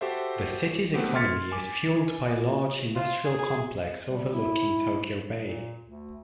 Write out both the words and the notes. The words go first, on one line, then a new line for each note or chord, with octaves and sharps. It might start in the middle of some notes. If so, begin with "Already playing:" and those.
The city's economy is fueled by a large industrial complex overlooking Tokyo Bay.
F#4 G4 A4 C5 E5
A3 B3 C4 F#4 G4
C6 F6 G#6 A6 B6 C#7
G#5 D6
F4
G#4
G#4
G3
E4
A#2
D2